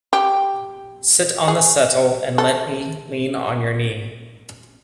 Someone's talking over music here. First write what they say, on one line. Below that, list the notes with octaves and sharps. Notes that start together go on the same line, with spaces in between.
Sit on the settle and let me lean on your knee.
G4
G#4
A4